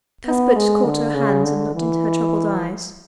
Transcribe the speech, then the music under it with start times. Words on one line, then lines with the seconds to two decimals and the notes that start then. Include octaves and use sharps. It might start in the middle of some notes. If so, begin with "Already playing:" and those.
Cuthbert caught her hands and looked into her troubled eyes.
0.27 B3
0.56 G#3
0.85 D3
1.15 C#3
1.44 D3
1.74 E3